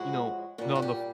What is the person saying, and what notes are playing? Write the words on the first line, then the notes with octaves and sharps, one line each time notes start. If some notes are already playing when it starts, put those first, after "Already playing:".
You know, and on the f
Already playing: A2 F3 G#3 F#4
A#2 G3 F#4
F#4
G4